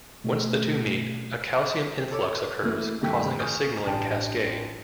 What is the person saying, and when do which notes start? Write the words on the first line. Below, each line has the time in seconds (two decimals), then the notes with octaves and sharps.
Once the two meet, a calcium influx occurs, causing a signaling cascade.
0.24 B2 A3
2.11 A4 C#5 D6
2.63 E3 A3
3.01 G2 D#3 A3 G5 B6
3.39 G#5 C#6 D#6 F6 G6
3.86 A1 D4 G5 A5